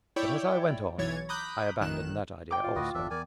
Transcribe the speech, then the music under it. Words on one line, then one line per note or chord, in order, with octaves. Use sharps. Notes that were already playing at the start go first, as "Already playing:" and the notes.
But as I went on I abandoned that idea also.
E4 C#5 D5 G5
B1 E3 C#5 G#6 A6
A#5 B5 D6 D#6 F#6 G6
A1 D#3 F#6 E7
G5 D6
F4
D2 A2 F#4 B4 D#5
G1 E2 D4 A4 E5
E2 A#4 D5 G#5